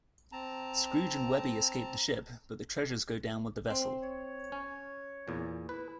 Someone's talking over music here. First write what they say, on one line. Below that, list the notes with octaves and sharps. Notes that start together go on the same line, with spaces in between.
Scrooge and Webby escape the ship, but the treasures go down with the vessel.
C4 A5 A#5
C4 C6
C#5
C#4
E2 A#2
E4 B4